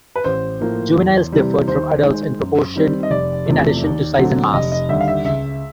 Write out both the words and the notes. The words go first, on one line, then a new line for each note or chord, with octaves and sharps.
Juveniles differed from adults in proportion in addition to size and mass.
B4
A1 C5
A2 F3 A#3
E2
C3 E3 G3
D#2 C5
D#3 G#3
F#2
D#3 G3 C4
D#5
F1 D5
E2 C3 F3 A3
D#2
D3 F#3 A3 C4
F1 D#5
D#5
D#2 D3 G3 E5
F5
E5
C#2 E5